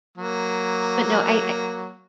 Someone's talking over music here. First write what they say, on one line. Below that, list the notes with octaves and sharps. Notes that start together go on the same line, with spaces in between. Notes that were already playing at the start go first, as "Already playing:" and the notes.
But no, I I
F#3 A#3